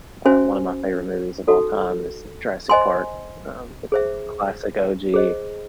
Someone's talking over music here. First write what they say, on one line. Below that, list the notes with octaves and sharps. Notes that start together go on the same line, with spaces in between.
Uh, one of my favorite movies of all time is Jurassic Park, um, the c classic OG.
C#4 F#4 C5 E5 G#5
D#4 F#4 A4
C5 D#5 G#5 C6
G#4 C5 E5
G#4 C5 D#5